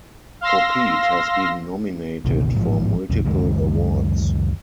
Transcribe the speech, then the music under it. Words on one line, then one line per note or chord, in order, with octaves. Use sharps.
Kopete has been nominated for multiple awards.
F5 C6 E6 A#6
G1 C#2 B2 D#3
A1 G#2 F3
B1 F2
C#2 F#2 D#3 G#3